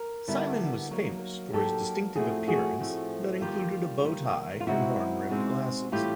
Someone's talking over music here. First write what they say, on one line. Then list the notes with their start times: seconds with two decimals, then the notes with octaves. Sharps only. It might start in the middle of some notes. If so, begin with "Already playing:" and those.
Simon was famous for his distinctive appearance that included a bowtie and horn-rimmed glasses.
Already playing: A#4
0.28 D3 G3 B3 E4
0.91 F#3 A#3 D#4
1.53 F#3 A#3 D#4 G4 A4
2.15 A2 F3 A3 C4 F#4 G#4
2.48 F#4 G#4
2.79 A2 F3 A3 C4
3.41 D#3 G3 A#3 F4 G4
4.04 D#3 G3 A#3
4.60 F4
4.66 B2 G#3 C4 D#4 E4 F#4
5.29 B2 G#3 C4 D#4
5.92 A2 E3 G3 F4 G4